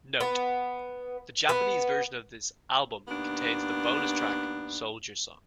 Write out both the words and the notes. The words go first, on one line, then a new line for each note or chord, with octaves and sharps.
"Note:" The Japanese version of this album contains the bonus track, "Soldier Song".
B3
B3
D#2 B3 D4